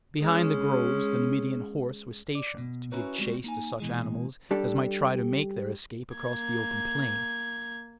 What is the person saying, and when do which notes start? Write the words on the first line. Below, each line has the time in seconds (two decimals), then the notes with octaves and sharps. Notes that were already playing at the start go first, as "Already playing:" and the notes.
Behind the groves the Numidian horse were stationed, to give chase to such animals as might try to make their escape across the open plain.
0.20 G#3 C#4
2.35 D5
2.58 B2
2.92 C#4 E4 F#4 A#4 B4 C#5
3.18 G3 G#3 C4 F#4
3.44 A#3 D#4 G#5
3.80 B2 E3 G#3
4.51 G3 D4 G4 A4
6.16 A#3 G#6